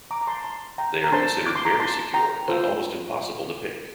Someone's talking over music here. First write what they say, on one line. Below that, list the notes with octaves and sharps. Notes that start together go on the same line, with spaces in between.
They are considered very secure and almost impossible to pick.
A#5 D6
A#5
A5 C6
A5 C6
G5 A#5
A#5
D4 A4 C5 A5 C6
D6
C6
A#5 D6
A5 C6
G5 A#5
F4 A4 C5